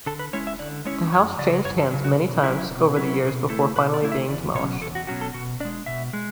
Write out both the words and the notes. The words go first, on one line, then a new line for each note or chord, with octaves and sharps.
The house changed hands many times over the years before finally being demolished.
D3 A4
B4
G#3 C#4 E4 C#5
E5
D3 D5
G#3 C#4 E4 C#5
F#2 C#5
C#3 F#3 D5
F#2 C#5
A4
C#3 F#3
F#4
B2
F#3 C#4 E4
B2
F#3 C#4 E4
B2 G#4
A3 E4 A4
B2 B4
D5
A3 E4
E5
E2 D5
B2 F#3 C#4 C#5
E2 A4
F#4
B2 F#3 C#4 F#4
A4
B2 F#4
G#3 D4 D5
B2 E5
G#3